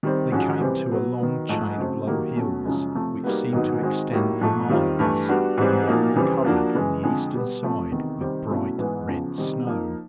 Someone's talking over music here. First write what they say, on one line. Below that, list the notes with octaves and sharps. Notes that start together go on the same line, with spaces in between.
They came to a long chain of low hills which seemed to extend for miles, and were all covered on the eastern side with bright red snow.
D#3 G3 C4
G#2 F3 G#3 C#4 F#4
C3 E3 G3 C4
B2 F#3 B3
D#3 F#3 B3
G#2 F3 A3
C#3 F#3 A3 C4
D#3 F#3 A#3 D#4 G4
B2 F#3 A3 C#4
F#2 C#3 F3 G#3
C3 F3 A3
G3 A#3 D#4 F#4 B4
G#2 D#3 F#3 B3 D#4
D#3 G#3 C4 D#4 F#4
A2 F#3 A#3 D#4 G4
G#2 F3 A3
D#3 G3 C4 F4
G2 E3 A3
G3 B3 D4 F#4
G#2 E3 G3 C4
A#2 F3 A#3 D#4 F#4
F2 C#3 E3 G3 C4
F3 A#3 D4 F#4
C#3 E3 G#3
F2 D3 F3 G#3
B2 G3 B3
C3 F3 A3
E2 C3 D#3
C3 D#3 G3 C4
B2 F#3 A3 C#4 E4
G#2 E3 G#3 B3
E2 C#3 F3
C3 D#3 G3 C4 D#4
F3 A#3 D#4